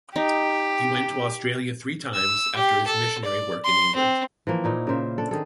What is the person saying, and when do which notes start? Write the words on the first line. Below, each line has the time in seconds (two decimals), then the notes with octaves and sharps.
He went to Australia three times after his missionary work in England.
0.16 D#4 G4
2.14 E6
2.56 G4
2.87 A4
3.25 D5
3.65 C6
3.95 C4
4.47 E3 F3 A#3
4.64 A#2 D#4 E4
4.87 C#3 A#4 C5 E5
5.18 D4 A4
5.31 D#3 G#4 A4